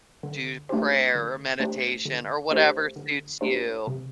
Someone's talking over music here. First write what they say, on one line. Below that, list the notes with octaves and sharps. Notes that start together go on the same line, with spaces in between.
do prayer or meditation or whatever suits you.
D3
A3 D4 G4 C5
D3
A3 D4 G4 C5
D3
A3 D4 G4 C5
D3
A3 D4 G4 C5
C3